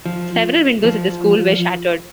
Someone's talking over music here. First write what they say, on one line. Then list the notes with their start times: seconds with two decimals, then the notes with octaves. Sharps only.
Several windows at the school were shattered.
0.06 F3
0.84 F3